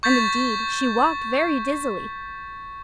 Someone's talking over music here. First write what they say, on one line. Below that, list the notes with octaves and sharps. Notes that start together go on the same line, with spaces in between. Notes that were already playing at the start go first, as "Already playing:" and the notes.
And indeed, she walked very dizzily.
C#6 G6 A6 B6